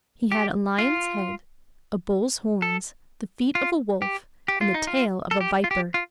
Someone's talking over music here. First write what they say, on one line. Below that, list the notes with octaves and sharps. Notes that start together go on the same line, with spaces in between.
He had a lion's head, a bull's horns, the feet of a wolf, and the tail of a viper.
G4
F4
A4
F4
G4
G4
F4
D#4
F4
A4
G4
F4
G4
F4